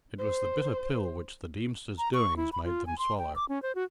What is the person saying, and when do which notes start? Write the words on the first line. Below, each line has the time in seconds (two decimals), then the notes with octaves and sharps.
It was the bitter pill which the Deemster's doings made them swallow.
0.19 C5
1.98 A#5
2.14 C#6
2.37 E4
2.52 B5
2.65 F4
2.87 G#5
2.99 C6
3.18 G5
3.36 D6
3.49 C#4
3.62 C5
3.75 F#4